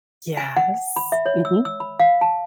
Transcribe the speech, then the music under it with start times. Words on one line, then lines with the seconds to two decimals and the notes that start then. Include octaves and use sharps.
Yes. Mhm.
0.37 G#5
0.57 F#5
0.74 F#5
0.96 B5
1.12 E5
1.26 C#5
1.45 E6
1.65 E6
1.80 B5
2.00 F5
2.21 A5